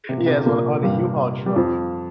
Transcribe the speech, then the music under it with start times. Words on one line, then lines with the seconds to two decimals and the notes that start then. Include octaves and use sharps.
Yes, on on a U-Haul truck,
0.09 C3
0.17 A#2
0.26 C3
0.46 A#2 A#3
0.83 G2 G3
1.46 G3
1.56 F2 F3